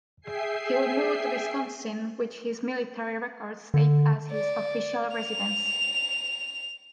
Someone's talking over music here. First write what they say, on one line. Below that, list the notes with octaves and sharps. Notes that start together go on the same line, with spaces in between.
He would move to Wisconsin, which his military records state as his official residence.
G#4 E5 G5 G#5 C7
D3
D5
F7